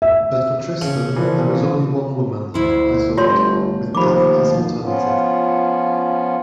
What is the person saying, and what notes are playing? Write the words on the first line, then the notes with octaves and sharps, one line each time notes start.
But for Tristan there is only one woman, Isolde, with Death as alternative.
E5
C#3
A#2 E3 F3
D2 E4 C5
G1 A3 F4 C#5 C6
D#2 F3 B5 D6
F3 B3 C#4 F4